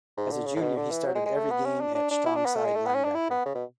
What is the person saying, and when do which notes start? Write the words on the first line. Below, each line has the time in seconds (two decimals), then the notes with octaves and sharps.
As a Junior he started every game at strongside line-backer.
0.17 G#2
0.32 D3
0.46 C#3
0.56 A2
0.61 B2
0.76 D3
0.91 E3
1.06 F#3
1.16 G#3
1.26 G#3
1.37 A3
1.51 B3
1.65 C#4
1.81 D4
1.95 D4
2.11 D4
2.26 E4
2.36 D4
2.46 B3
2.55 A3
2.65 G#3
2.75 A3
2.86 B3
2.95 C#4
3.05 D4
3.15 E4
3.31 B3
3.45 C#3
3.55 B2